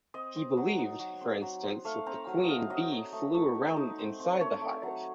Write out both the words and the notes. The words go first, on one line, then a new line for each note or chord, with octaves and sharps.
He believed for instance that the queen bee flew around inside the hive.
C4 D#5
C4
F#3
D#4
F#3
C4
F#3
C4
A3 F5
C4 A#5
F#3
D#5
C4 F5
F#3 D#5
F#3
A3
A3
D#4
D#4
C4
C4
A3 C#5
A3
F#3